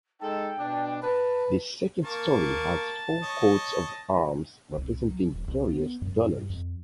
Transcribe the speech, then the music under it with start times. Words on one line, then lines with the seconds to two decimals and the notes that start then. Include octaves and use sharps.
The second story has four coats of arms representing various donors.
0.21 G#3 D#4 A4 G5
0.58 B2 D4
1.02 B4 A5
2.04 A#3 A#4 A5 C#6
3.23 C#5 D#5
4.78 C2
5.09 F#3
5.34 E1
5.48 C2
5.72 B3
6.02 F#2
6.31 G2
6.50 F2